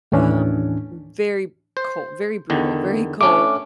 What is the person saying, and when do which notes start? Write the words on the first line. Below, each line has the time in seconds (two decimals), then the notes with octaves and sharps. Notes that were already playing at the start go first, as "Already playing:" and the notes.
um, very cold, very brutal, very cold
0.12 D#2 A2 E3 C#4 D4
1.77 C5
2.50 E2 D3 D#3
3.21 A3 C#4 D4 D6